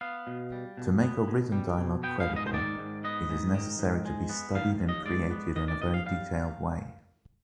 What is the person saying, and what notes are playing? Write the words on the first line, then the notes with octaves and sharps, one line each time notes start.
To make a written dialogue credible, it is necessary to be studied and created in a very detailed way.
B3 F5
B2
G3
B2
B3
B2
G3
B2
B3 G5
F5
G#2
D#5
C5
D#3 D5
G#2
B3 D#5
G#2
D#3
G#2
G#3
B3
D#3 F5
D#2
D#5
G#3 D5
B3
D#3 D#5
D5
D#2 D#5
F5
G3 F5